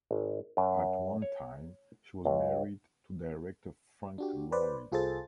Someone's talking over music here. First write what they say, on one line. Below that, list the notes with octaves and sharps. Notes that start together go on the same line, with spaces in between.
At one time, she was married to director Frank Lloyd.
G#1
F#2
C#5
C#2
D4 F#4 G4
B4 C5 D5
C2 F4 G#4 A4 C5 A6